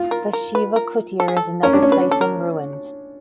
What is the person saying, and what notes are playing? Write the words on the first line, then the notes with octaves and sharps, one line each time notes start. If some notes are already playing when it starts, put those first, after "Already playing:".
The Shiva kutir is another place in ruins.
Already playing: F4
A#4
A#4
B4
A#4
A4
G#4
A4
C#4 A#4
D4
C#4
B4
A4
A#4